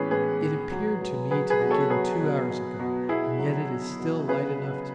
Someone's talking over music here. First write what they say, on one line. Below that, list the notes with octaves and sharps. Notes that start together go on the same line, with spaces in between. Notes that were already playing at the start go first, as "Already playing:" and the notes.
It appeared to me to begin two hours ago, and yet it is still light enough to see.
Already playing: A2 E3 B3 C#4 G#4 B4
A2 G#4 B4
A2
F#3
F#3
F#3 G#4 B4
G#4 B4
B2
A4 C#5
F#3 G#4 B4
B2
B2
B2
B2 E4 G#4
F#3
B2
B2
C#3 G#4 B4
F#3